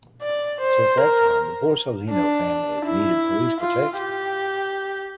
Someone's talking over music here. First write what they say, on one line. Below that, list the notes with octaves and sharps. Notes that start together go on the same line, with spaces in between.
Since that time, the Borsellino family has needed police protection.
D5
C5
A#4
D4
E4
F4
G4